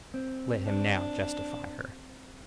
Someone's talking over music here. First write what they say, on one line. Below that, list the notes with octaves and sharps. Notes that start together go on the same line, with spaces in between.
Let him now justify her.
C4
D4